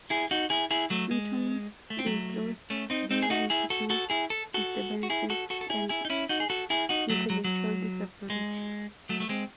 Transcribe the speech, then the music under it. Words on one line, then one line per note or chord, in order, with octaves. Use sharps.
Symptoms include liver and kidney disturbances and intellectual disability.
E4 G#4
D#4 F#4
E4 G#4
E4 G#4
F#3 A3
G#3
A3
C4
F#3 A3
A3 C#4
C4 D#4
C4 D#4
G#4
D#4 F#4
E4 G#4
F#4 A4
F#4 A4
E4 G#4
A4
F#4 A4
F#4
E4 G#4
F#4 A4
F#4 A4
A4
E4 G#4
E4 G#4
D#4
C#4 E4
D#4 F#4
G#4
F#4 A4
E4 G#4
D#4 F#4
F#3 A3
F#3
F#3
G#3
F#3 A3
A3
G#3 C4